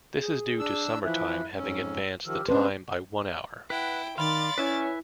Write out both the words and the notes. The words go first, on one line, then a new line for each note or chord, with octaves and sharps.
This is due to summer time having advanced the time by one hour.
G#4
D4 E6
E3 F3 E4 E5 F#6
F2 G#2 C#4 E6
D#3 F3 G4 E6 F6
G#3 B3 C#4 D4 B4 C5 C6
E4 B4 F#5 G5
D#3 D5 F5 B5 C6 A6
C#4 E4 B4 E5 G#5